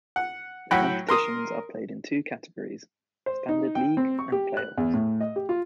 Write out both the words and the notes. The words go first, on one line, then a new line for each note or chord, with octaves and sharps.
The competitions are played in two categories: Standard league and playoffs.
F#5
A2 F#3 F#5 G5 B5
A#4 C6 D#6
C5
D#4
G5
C4
C#6
G4
F#6
E2
A2
D#5
G4
F4